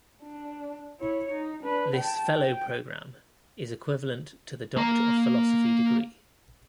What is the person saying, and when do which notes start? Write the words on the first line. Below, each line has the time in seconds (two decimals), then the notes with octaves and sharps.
This Fellow Program is equivalent to the Doctor of Philosophy degree.
0.23 D4
1.00 E4 C#5
1.32 D#4
1.63 D4 B4
1.97 G5 A5
2.37 G5
4.76 A#3 A#5